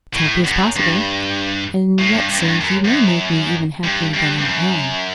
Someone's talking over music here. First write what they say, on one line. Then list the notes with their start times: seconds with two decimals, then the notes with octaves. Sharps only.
"As happy as possible; and yet, sir, you may make me even happier than I am."
0.15 A2
0.45 F#2
0.76 G2
1.99 A2
2.15 G2
2.30 G2
2.39 F#2
2.45 G2
2.61 F#2
2.85 F#2
3.84 G2
4.14 G2
4.38 G2
4.45 F#2